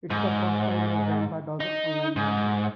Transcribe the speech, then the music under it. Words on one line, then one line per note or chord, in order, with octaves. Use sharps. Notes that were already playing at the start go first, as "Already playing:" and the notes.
It's the first time my grandpa does online banking.
G#2
D#4
G#2